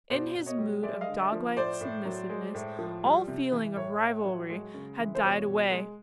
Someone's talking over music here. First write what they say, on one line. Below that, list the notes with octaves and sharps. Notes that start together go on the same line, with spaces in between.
In his mood of doglike submissiveness all feeling of rivalry had died away.
B2 C5 D5
B2
C#5 D#5
G3
G#3 D5 E5
D#5 F5
D3
D5 E5
F3
A2 C5 D5
A2
F#3
G#3
A2
F3
G3
C3
E3
A2 C#5
A2
F#3
G#3
C#3
E3
C5
B2 C#5
B2
G#3